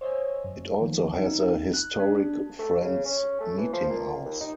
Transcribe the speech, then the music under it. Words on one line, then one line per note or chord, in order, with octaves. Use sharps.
It also has a historic Friends Meetinghouse.
C5 C#5 D#5 E5 G#5
F#2
D#3 F3
D#4
F#6
D4
A3
C#3
C#4
A3
E3
F3
A#2
D#2
D#4